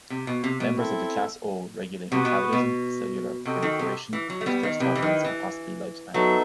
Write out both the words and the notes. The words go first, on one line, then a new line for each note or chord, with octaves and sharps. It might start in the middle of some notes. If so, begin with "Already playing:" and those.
Members of the class O regulate metabolism, cellular proliferation, stress tolerance and possibly lifespan.
C3
B2
C3
B2
C4 E4 A4 E5
C3 B3 F#4 B4 F#5
B2
B2
C3 F#4 A4 D#5 G5
D#3
C3
E3
F#3
A3
G3 B3
D#3
C3 E4 B4 D#5 G5
E3
D#3
E3
F#3 B3 D#4 A4 E5